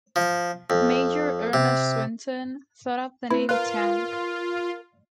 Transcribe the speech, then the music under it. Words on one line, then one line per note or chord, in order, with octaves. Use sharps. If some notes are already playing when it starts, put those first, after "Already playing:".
Major Ernest Swinton thought up the name "tank".
F3
F2
C3
C4 E4 B4
F4 A#4 B4 F5 F#6